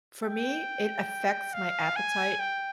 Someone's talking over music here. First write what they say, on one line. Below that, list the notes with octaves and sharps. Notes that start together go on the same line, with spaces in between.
For me, it affects my appetite.
G5
F5
G#5
G5